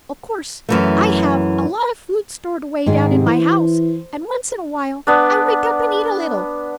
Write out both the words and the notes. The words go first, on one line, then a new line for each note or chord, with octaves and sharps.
Of course I have a lot of food stored away down in my house, and once in a while I wake up and eat a little.
F#2 E3 A3
G#2 D#3 G#4
C3
E3 C5
B3 D4